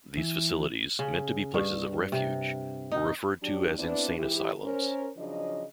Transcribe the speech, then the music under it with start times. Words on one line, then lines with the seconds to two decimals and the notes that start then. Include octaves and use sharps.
These facilities, meant to be places of refuge, were referred to as "insane asylums".
0.18 E3
0.99 C#3
1.54 G2
2.12 C3
2.92 D#4
3.42 F#3 D4 G4
3.78 B3 C4 D4 E4 B4 D5
4.18 G#2 E3 E4 G4
4.63 C#4 A#4 C5
5.17 C#3 F3 F#3 D4 D#5